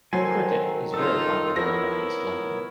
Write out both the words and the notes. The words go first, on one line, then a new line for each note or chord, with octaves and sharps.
Cricket is very popular around East London.
D#3 F#3 A4 C5 G#5
D#4 F4 A4
F3 B3 E4 A#4 C#5 A#6